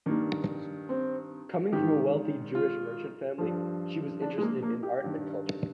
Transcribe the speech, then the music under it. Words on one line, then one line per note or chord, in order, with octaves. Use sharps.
Coming from a wealthy Jewish merchant family, she was interested in art and culture.
G2 D#3 A#3
C4
G#2 D#3 G4
F4
G2 F3
D4
G#3
A#3
A#3
G4
G2 D#3